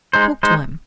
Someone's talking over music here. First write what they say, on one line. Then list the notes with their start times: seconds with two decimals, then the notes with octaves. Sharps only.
Talk to him.'
0.13 G#3 D#4 C5
0.43 G#3 D#4 C5